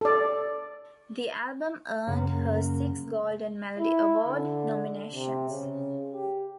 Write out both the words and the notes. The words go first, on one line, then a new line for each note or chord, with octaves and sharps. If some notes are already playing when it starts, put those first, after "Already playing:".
The album earned her six Golden Melody Award nominations.
A4 D5
F#2 C#3 A#3 F#5
E4
D3
C3
C#3
G4